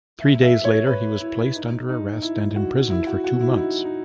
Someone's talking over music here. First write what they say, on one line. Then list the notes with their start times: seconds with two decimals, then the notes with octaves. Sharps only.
Three days later he was placed under arrest and imprisoned for two months.
0.20 E5
0.43 E5
0.65 C#5
0.87 B4
1.21 E4
1.55 D#4
1.89 D#4
2.22 E4
2.56 F#4
2.90 E4
3.07 F#4
3.24 F#4
3.41 E4
3.49 D#4
3.57 E4
3.84 D#4